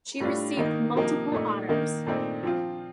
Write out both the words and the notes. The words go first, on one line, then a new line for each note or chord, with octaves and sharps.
She received multiple honors.
A2 G3 D4 F4
D#3 A#3 D#4
C3 F3 A#3 D#4
A#2 A3 D#4
D#3 A#3 D#4
A#2 A3 C4 D#4
F3 C4 F4